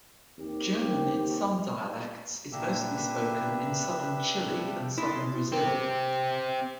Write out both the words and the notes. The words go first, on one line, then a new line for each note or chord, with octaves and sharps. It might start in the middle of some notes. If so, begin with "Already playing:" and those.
German in some dialects is mostly spoken in Southern Chile and Southern Brazil.
D#2 C4 G4
A#2 D3 A#3 D4 G4 B4 E5
F3 G3
C#4 E4 B4 D#5 C6 A6
C4 G4